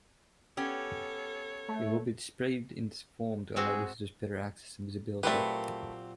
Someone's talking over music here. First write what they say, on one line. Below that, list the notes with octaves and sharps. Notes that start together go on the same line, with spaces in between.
It will be displayed in this form to allow visitors better access and visibility.
B3 C#4 G4 A4 C#5
A3
G#3 C4 F#4 G#4
A#2 F#3 A3 C4 G4 B4